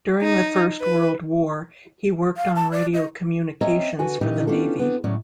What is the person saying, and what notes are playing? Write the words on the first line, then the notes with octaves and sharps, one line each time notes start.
During the First World War, he worked on radio communications for the navy.
D#4
B4
F5
A5
D5
D#5
C4 C#4 C#5 D#5 E5 A#5
D3 D4 F#4 B4 G#5
A#2 C#3 E3 C#4 D#4 G4
B3 C#4 D4 F4 G4 A4
B3 C4 D4
A2 C#3 F#3 C#4 D5